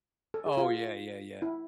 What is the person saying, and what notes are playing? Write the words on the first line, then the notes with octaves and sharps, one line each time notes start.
Oh, yeah, yeah, yeah.
A4
G#4
F4
E4